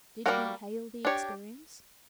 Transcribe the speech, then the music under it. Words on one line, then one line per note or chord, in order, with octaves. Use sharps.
Did he hail the experience?
G3 A#3 C#4 F#4 A#4
D4 G4 C#5